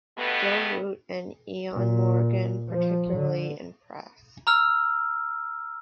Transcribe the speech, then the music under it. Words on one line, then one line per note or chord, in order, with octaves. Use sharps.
Joe Root and Eoin Morgan particularly impressed.
G2 B2 A3 B3
A#2
F3
D3
A#5 E6 F6